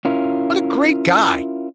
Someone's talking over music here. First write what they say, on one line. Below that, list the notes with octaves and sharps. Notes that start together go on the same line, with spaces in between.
What a great guy.
C#4 E4 F4 A#4